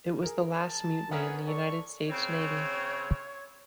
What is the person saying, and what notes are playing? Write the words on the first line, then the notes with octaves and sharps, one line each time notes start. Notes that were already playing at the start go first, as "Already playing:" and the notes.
It was the last mutiny in the United States Navy.
G#4 A#4
A5
B3 C#4 G#4 A#4 E5 F#5
A4 D5 C#6
C#3 C4 C#5